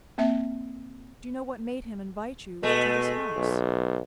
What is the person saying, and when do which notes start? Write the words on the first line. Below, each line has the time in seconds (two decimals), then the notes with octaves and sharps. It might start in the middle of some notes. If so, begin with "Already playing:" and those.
"Do you know what made him invite you to this house?"
0.18 A#3 C4 E5
2.63 B2 G#3 A3
3.36 B1